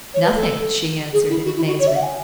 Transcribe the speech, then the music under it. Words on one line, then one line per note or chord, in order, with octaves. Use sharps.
"Nothing!" she answered, in amazement.
C#5
B4
A4
G#4
E4
F#4
E4
F#4
C#5
E5
F#5
G#5